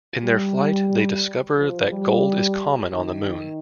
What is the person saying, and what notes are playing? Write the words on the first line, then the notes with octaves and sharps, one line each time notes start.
In their flight they discover that gold is common on the moon.
G3
F3
G3
D#3